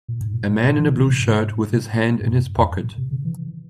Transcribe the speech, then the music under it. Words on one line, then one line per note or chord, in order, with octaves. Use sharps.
A man in a blue shirt with his hand in his pocket.
A#2
G#2
A#2
A#2
E3
C#3
C3
A#2
G#2
G#2
G2
F2
A#2
C3
C#3
E3